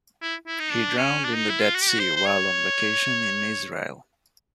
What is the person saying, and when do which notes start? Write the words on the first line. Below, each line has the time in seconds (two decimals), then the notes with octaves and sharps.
He drowned in the Dead Sea while on vacation in Israel.
0.22 E4
0.47 E4
0.59 D#4
0.72 D4
0.97 C#4
1.24 D4
1.36 D#4
1.49 E4
1.61 F4
1.75 F#4
1.81 G4
1.89 F#4
1.99 C5
2.16 C5
2.26 C#5